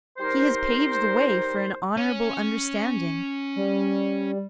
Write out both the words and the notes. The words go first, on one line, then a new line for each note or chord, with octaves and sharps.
He has paved the way for an honourable understanding.
G3 D#4 A#4 C5
C#4
G3